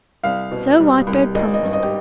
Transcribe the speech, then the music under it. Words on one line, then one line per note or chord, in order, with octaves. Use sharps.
So Whitebird promised.
C2 F5
B2
G3
C2
G#1 D#5
D#5
G2
D#5
G4